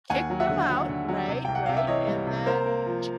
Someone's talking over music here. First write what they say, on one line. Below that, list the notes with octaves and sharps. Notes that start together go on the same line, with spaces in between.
Kicked them out, right, right, and then she
D#2 F#5 G#5
F#3
E5 F#5
D3
F#3
D3
F#3
C3
C2 G5
F#5
C3 F5
E5
E3 C#5 D#5
G3
C3
A#3 A#4 C5
A#3
F3